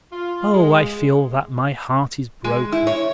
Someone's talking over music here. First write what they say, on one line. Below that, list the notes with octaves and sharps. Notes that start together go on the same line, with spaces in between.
Oh, I feel that my heart is broken.
F4
G#3
G#3
E4
C#5